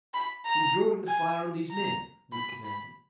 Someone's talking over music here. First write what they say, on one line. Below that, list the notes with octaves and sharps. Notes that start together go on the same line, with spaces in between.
"You're drawing the fire on these men," Wood commanded.
B5
A#5
G#5
A#5
B5
B5